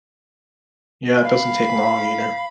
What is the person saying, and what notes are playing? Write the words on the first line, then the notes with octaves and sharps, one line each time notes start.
Yeah, it doesn't take long, either.
F5 B5